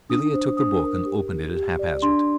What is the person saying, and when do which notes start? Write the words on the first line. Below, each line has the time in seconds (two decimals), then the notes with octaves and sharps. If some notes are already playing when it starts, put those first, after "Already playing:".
Villiers took the book, and opened it at haphazard.
0.10 D4 D#6
0.34 C5
0.57 D4 D#6
0.82 A#4
1.06 G4
1.31 G4
1.55 G4
1.79 D5
2.02 D4 C6